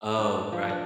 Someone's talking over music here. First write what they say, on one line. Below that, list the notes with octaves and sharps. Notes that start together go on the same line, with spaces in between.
Oh, right.
D4
F3
D4